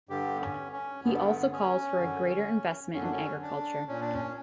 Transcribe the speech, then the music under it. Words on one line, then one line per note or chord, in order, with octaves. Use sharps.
He also calls for a greater investment in agriculture.
G2 D3 G4
B3
C#4
C#4
G2 D3 B3
C#4
F#2 D3
F#2 D3 C#4
D4
C#4
D4
A#2 C#4
D4
C#4